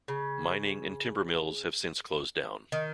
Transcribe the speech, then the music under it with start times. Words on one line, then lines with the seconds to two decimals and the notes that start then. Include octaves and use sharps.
Mining and timber mills have since closed down.
0.08 C#3
2.72 D#3